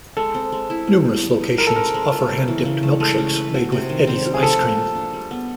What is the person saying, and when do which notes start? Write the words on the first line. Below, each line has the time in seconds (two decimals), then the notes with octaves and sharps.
Numerous locations offer hand dipped milkshakes made with Edy's Ice Cream.
0.17 G#3 A4
0.34 C4
0.52 G#3
0.70 E4
0.87 G3
1.05 B3
1.23 G4
1.41 D#4
1.58 G#3 A#4
1.67 A4
1.76 C4 A#4
1.94 G#3
2.12 F4
2.29 C#3
2.48 E3
2.65 C#3
2.83 A3
3.00 G#3 A4
3.18 C#4
3.36 B4
3.54 F#4
3.72 C3
3.90 D#3
4.07 C4
4.25 G3
4.34 G#4
4.43 F3 A4
4.60 A#3
4.78 F4
4.95 D4
5.13 G3
5.31 B3